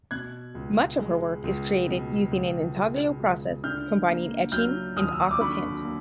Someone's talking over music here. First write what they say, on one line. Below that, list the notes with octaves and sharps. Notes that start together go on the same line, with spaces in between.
Much of her work is created using an intaglio process combining etching and aquatint.
B2 F#6 G#6
C#2
G#3
C#2
B2
C#2
G#3
C#2
D3 F6 G6
A#3
F#3 F6 G6
D#2 D#6 F6
E6
D#6
D6
D3 B5 C#6
A#3